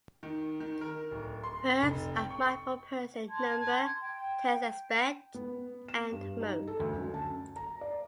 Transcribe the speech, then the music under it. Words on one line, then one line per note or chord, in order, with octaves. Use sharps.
Verbs are marked for person, number, tense-aspect, and mode.
D#3
D#3
A#4
D1
C6
F1
G5
C#6
A5 C6 G#6
G5
B3
E7
G2
D#4
A4
D2
F#2
A5
A#5
D5